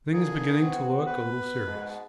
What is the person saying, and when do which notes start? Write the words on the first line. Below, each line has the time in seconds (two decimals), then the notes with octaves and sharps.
Things beginning to look a little serious.
0.13 D3 D#3 A#3 G#4
0.60 B3 C4 F#4
1.07 B4
1.66 G#2 B2 G#3